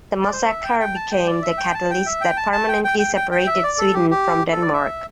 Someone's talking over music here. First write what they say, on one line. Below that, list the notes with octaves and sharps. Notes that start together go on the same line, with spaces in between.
The massacre became the catalyst that permanently separated Sweden from Denmark.
D5
C5
E5
G5
G5
A5
G5
D5
E5
G5
A5
G5
E5
G5
A5
A5
G5
G5
G5
G5
G5
E5
D5
A4
G4
G4
A4
D5
E5